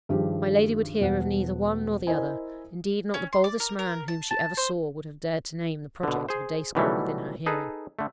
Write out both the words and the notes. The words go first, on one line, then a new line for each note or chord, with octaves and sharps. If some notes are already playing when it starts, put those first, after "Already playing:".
My lady would hear of neither one nor the other: indeed, not the boldest man whom she ever saw would have dared to name the project of a day-school within her hearing.
G2 D#3 F3 G4 G#4
E1 G3 F#5
E4 A#4 C5 D#5 G#5
C#4
C6
D5
A#4
A#4
A5
A5
C5
B2 D3
G#4 C5
B2 D#3 E3 F#3 G3 A3
D#4 G#4 A4 B4
D3 A3